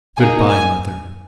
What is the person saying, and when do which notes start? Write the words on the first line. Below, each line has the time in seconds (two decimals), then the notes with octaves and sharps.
"Good-bye, mother."
0.18 A#3 D#4 G#4 G#5
0.49 G#5